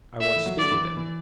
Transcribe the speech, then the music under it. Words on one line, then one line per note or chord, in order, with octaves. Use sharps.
"I want to speak with him."
A3 E5
E3
F#3
D3 D5
E3
E3